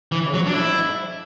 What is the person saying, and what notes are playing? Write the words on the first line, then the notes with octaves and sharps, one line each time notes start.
Oh, yeah.
E3
F#3
D4
E4